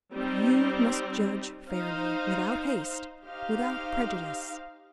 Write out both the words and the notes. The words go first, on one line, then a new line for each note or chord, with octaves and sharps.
But you must judge fairly, without haste, without prejudice.
G3 C4 D#4
D#4 C5 F5
D#4 G4 C5 F5